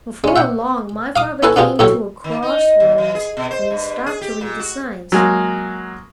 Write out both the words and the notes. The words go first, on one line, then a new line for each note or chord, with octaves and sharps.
Before long my father came to a crossroads and he stopped to read the signs.
G#3 C#4
E5 F#5 G5
F5 D6 D#6
C#4 E4 A4 B4 G#5 A5
B3 D4 F4 G4 G#4
A2 F#3 G4 A4 C#5
D#3
D#4
D#2
E3
G#4
B2
C5
G2
G#4
G4
A#2
F#4
F#3 G#3 A#3